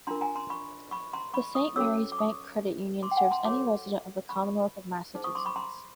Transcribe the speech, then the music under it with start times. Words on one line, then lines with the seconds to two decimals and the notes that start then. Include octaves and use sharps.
The Saint Mary's Bank Credit Union serves any resident of the Commonwealth of Massachusetts.
0.07 D4 F4 A#4 A#5 C6
0.21 G#5 A#5
0.36 A#5 C6
0.50 B5 C#6
0.91 B5 C#6
1.13 A#5 C6
1.34 B5 C#6
1.55 C#6 D#6
1.76 C#4 F#4 A4 C#5 D6 E6
2.12 D6
2.18 C#6 D#6
3.03 C6 D6
3.11 G5
3.17 F#5 G#5
3.31 A#5 C6
3.45 F#4 A4 C#5 C6 D6
4.29 B5 C#6
5.15 D#4 G#4 C5
5.24 C#6 D#6
5.35 C6 D6
5.45 B5 C#6
5.56 A#5 C6